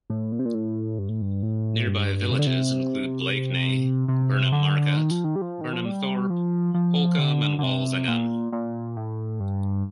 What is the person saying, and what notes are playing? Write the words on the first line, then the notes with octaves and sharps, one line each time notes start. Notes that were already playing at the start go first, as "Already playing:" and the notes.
Nearby villages include Blakeney, Burnham Market, Burnham Thorpe, Holkham and Walsingham.
A2
A#2
C3
A#2
A2
G2
A2
G2
A2
G2
C3
D3
C3
C3
D3
D#3
F3
D#3
G3
F3
D#3
F3
G3
F3
F3
D3
D3
C3
A#2
A#2
A2
G2